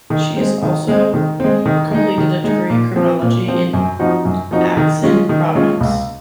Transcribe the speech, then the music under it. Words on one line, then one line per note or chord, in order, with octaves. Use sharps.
She is also completed a degree in criminology in Aix-en-Provence.
D#3
G#3 C4
D#3
G#3 C4
D#3
G#3 C4
D#3
G#3 D#4
D#3
G#3 D#4
A#2
F3 C4
A#2
F3 C4
F#2
F3 C4 D#4 F#4
F#2
F3 C4 D#4 F#4
D#3
G#3 C#4 F4
D#3
G#3 C#4 F4
C#2